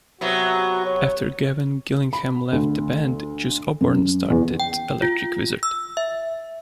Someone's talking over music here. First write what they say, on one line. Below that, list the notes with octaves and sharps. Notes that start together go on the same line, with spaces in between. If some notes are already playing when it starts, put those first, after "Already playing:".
After Gavin Gillingham left the band, Jus Oborn started Electric Wizard.
C3 F#3 B3 F#4
C#5
B5
D2
F#2
E2
G5
F4
E6
E5